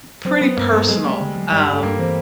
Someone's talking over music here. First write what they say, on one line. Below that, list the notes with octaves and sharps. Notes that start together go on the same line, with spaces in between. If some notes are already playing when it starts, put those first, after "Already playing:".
pretty personal, um
F#3 C4
F#3 B3
G2 A#3
G2 A3
F#3 G#3
G3 A#3
D3
F#3
G2 G3
G2
A3
G2 A#3
E3 C4